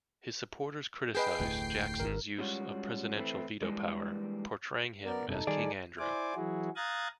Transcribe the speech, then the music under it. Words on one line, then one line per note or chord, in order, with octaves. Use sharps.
His supporters criticized Jackson's use of presidential veto power, portraying him as King Andrew.
G#4 B4 D#5 G5 C7
F1 D2 A2
G#1 A#4
G3 G#3 C#4 F4 F#4
E3 A3 C4 E4
E3 G3 G#3 A#3 D4
B3 A#4 D5
F1 G2 C3 D#4 A4
D#3 G3 G#4 D5
E4 C5 D5 G#5 D6
E3 F#3 E4 F#4 G#4
F5 A#5 D#6 F#6 G#6 A6